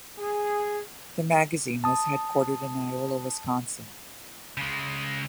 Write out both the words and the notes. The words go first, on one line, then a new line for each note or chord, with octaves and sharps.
The magazine was headquartered in Iola, Wisconsin.
G#4
A5 D#6
C#3 G#3